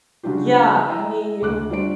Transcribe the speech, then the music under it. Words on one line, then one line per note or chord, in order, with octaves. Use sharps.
Yeah, I mean
C#3 F#3 D4 F4 G4
E4 D#5 G5 A#5 E6
D2 D6 F#6
G3 D4 F4 F#4 D5 D7